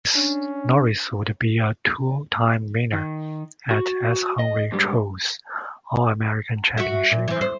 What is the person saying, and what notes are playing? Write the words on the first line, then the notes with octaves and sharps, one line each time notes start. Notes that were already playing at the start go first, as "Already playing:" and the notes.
Norris would be a two-time winner at S. Henry Cho's All American Championship.
C#4 D4
D#3
F#4
D#5
G#2 G3 G#3
F#4 E5
A#2
E3 C4
C5